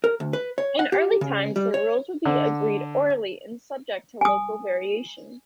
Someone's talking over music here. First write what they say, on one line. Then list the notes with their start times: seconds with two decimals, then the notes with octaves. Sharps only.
In early times, the rules would be agreed orally and subject to local variations.
0.04 A#4
0.20 D2
0.33 B4
0.58 C#5
0.79 F#5
0.92 G4
1.21 C#3
1.56 G3
1.74 C#5
2.26 D3
4.21 G#5 D#6